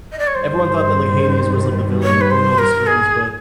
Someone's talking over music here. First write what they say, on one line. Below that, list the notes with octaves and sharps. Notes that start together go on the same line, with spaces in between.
everyone thought that, like, Hades was, like, the villain pulling all the strings, but
D#5
D5
C#5
G2 D#3 G3 C5
C#5
B4
C5
A#4
G#4